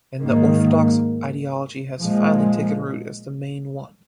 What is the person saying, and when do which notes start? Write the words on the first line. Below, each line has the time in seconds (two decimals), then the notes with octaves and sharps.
And the Orthodox ideology has finally taken root as the main one.
0.20 G#2 D#3 A#3
2.00 A#2 F3 G#3